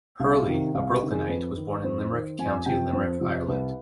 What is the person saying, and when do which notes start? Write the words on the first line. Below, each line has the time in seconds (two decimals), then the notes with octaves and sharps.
Hurley, a Brooklynite, was born in Limerick, County Limerick, Ireland.
0.20 C2 F5
0.48 C3 D#3
0.75 C2 F5
0.93 G4
1.02 C3 D#3
1.11 G#4
1.29 F2 B4
1.57 D#3
1.84 F2 C5
2.12 D#3
2.38 F2 G#5
2.66 C3 F3 G5
2.93 F2 C5
3.21 C3 F3
3.48 C2 B4